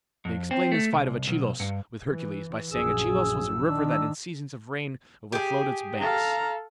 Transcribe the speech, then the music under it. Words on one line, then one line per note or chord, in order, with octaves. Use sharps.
They explain this fight of Achelous with Hercules by saying Achelous was a river that in seasons of rain overflowed its banks.
F2
C4
A3
C2
B1
G2
E3
A#1 F#2 G#4 E6
D#3 D4
G4 G#4
A4 F5 A#5